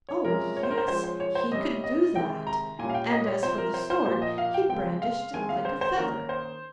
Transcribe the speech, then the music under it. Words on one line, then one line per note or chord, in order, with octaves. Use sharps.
Oh yes! he could do that, and as for the sword, he brandished it like a feather.
C#5
C3 F3 G#3 C#4 A#4
C#5
C5
A#4
C5
F3 G#3 C#4 C5
C5
C#5
C5
C3 G3 C#4 D#5
D#5
C3 D#3 G#3 G5
A#5
A#2 G3 C#4 G#5
F5
G5
D#5
C#5
C3 F3 C4 C5
A#4
C5
C5
A#2 F3 A#3 C5
D#5
F5
G5
C#3 G#3 C4 G5
F5
D#3 G#3 C4 G#5
F5
C5
C5
D#3 A#3 C#4 A#4
C5